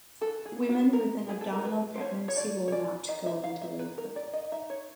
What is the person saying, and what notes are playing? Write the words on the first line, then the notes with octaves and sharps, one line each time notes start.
Women with an abdominal pregnancy will not go into labor.
E3 A4
G#4
B3
F#4
B3 A#4
G#3 G#4
A4
A#4
F3 B4
C5
F3 C#5
C#5
F3 D5
C#5
C#4 D5
D#3 D#5
E5
D#3 F5
E5
D#3 B4
A#4
D#3 D5
D#5
D#4 E5
C#5